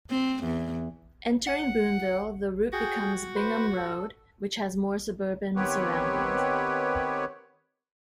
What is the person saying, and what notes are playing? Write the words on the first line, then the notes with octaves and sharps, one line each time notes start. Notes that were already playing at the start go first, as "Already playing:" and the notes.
Entering Boonville, the route becomes Bingham Road, which has more suburban surroundings.
C4
E2
F#5
F#4 G#4 G5
B4 C5
A4
D#3 B3 C4 G4 B4 C#5